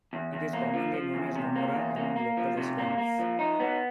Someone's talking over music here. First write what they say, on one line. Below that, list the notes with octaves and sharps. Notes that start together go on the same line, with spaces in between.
It is commonly known as "Gomorrah" among local residents.
E2
E2
A#3
F3
F3
E2
C3
A#3
E2
A#3
A#3
F3
C3
A#3
A#3
F3
D#4
B3